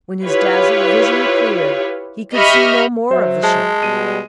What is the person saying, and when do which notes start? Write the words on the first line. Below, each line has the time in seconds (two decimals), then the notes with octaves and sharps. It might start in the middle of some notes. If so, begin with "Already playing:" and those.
When his dazzled vision cleared, he could see no more of the ship.
0.24 E4 F4 G4 B4 C#5
2.33 G4 D#5 E5 B5 C#6 F6
3.11 F#3 C5 E5
3.43 G#3 A5
3.83 B2 G3 D#7